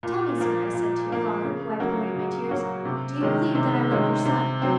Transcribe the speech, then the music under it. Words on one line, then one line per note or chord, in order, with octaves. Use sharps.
"Tell me, sir," I said to your father, wiping away my tears, "do you believe that I love your son?"
A#2
F3 A#3
A#2
F3 A#3
C#3
F#3 A#3 C#4 F#4
C#3
F#3 A#3 C#4 F#4
C3
D#3 G#3 C#4
C3
D#3 G#3 C#4
C3
F#3 C4